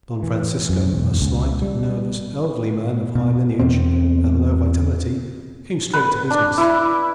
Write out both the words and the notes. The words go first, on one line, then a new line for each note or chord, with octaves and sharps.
Don Francisco, a slight, nervous, elderly man of high lineage and low vitality, came straight to business.
E3
F#2
E1
C#2
G3
B2
E2 B2 C4
B4
D4
E4